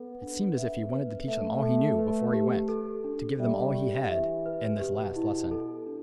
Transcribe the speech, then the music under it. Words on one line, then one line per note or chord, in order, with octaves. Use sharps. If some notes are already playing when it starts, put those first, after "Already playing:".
It seemed as if he wanted to teach them all he knew, before he went,--to give them all he had,--in this last lesson.
Already playing: B3 A4
D4
E5
B4
A3 E5
A4
B4
G4
A4
D4
G3 E5
G4
E3 E5
B4
B2 G4
E4
A4
D4